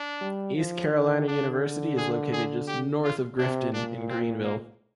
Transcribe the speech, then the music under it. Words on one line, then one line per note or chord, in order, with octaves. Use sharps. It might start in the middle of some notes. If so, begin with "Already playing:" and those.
East Carolina University is located just north of Grifton in Greenville.
Already playing: D4
G3
F3
D#3
D3 D4
G#4
G#4
G4
F4
C3 D4
A#2 D4
C4
A#3